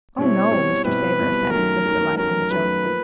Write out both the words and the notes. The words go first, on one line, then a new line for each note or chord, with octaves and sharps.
"No, no!" Mr. Savor assented, with delight in the joke.
B2 G3 C4 E4 C#5
B2 G3 C4 E4
B2 G3 C4 E4 B4
B2 G3 C4 E4
F#2 D#3 F#3 A3 A#4
F#2 D#3 F#3 A3
F#2 D#3 F#3 A3 A#4
F#2 D#3 F#3 A3 B4
F3 A#3